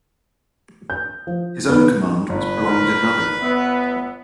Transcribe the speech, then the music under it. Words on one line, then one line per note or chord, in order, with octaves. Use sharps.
His own command was prolonged another year.
G6
F3
B3
G1 B4
A#4
B3 E5